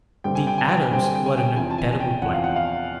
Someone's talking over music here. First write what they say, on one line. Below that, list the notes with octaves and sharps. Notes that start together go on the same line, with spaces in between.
The Arabs were in a terrible plight.
G2 D3 G3 C4 G5
G#5
G5
G#5
G5
G#5
G2 D3 G3 C4 G5
G#5
G5
G#5
G5
E2 C3 F3 G#5
A5
G#5
G5
E2 C3 F3 F#5
F5
F#5
F5